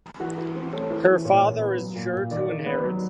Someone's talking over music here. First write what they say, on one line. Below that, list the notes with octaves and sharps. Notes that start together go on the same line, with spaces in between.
Her father is sure to inherit.
E3 F#4
E3
C4
A3 C#5
E3
E3
A#2 C#5
A#2
B3
F#3
A#2
A#2
D#3 D5
D#3
B3
F#3